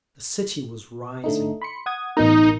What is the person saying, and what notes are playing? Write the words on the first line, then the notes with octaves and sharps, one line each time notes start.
The city was rising.
D3 A3 D#4
B5 C6 C#7
F#5 D#6 G#6
A1 B2 D#4 A#4